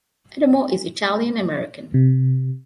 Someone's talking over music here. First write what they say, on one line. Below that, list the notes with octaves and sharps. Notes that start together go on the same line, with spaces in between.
Adamo is Italian American.
C3